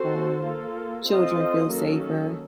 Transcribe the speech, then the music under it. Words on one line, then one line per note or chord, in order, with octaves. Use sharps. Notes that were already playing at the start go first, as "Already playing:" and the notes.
um, children feel safer.
Already playing: C4 F#4 A4 C5
A#3 F4 A4
C4 F4 A4 C5 D#5
D#3 F#3 A#3 C#4 A4